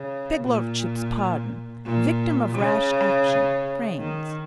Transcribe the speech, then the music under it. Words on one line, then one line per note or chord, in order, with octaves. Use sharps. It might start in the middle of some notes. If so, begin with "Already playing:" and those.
"Begludship's pardon--victim of rash action--brains."
Already playing: C#3
A#2
A#2
C#3
D#3